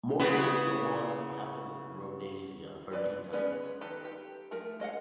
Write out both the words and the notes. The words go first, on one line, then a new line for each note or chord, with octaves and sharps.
Morkel would go on to captain Rhodesia thirteen times.
C#3 B3 E4
F#3 B4 D5
G#3 B3 C#4 B4 D5
D#3 G4 A4 B4
G4
F3 A3 A#4
G#3 D#5 F5 F#5